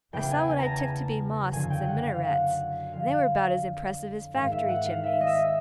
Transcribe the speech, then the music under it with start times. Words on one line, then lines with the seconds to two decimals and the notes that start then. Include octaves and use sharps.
I saw what I took to be mosques and minarets, and they were about as impressive as factory chimneys.
0.13 E2 C#3 E3 G5
0.31 G#5
0.48 G#5
0.59 A#5
0.66 A5
1.53 F#2 D3 F3 G#5
1.70 G5
1.88 F#5
2.06 F5
2.24 F#5
2.93 F2 D3 F3 F5
4.34 G#2 D#3 F5
4.52 E5
4.68 F#5
4.86 F5
5.04 E5
5.21 D#5
5.27 E5